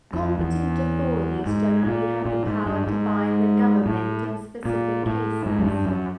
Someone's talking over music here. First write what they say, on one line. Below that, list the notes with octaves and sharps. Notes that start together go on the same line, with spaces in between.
Competent authorities generally have the power to bind their government in specific cases.
F2
E2
G#2
A#2
A#2
G#2
G2
G#2
A2
A#2
A2
G#2
F#2
G2
F#2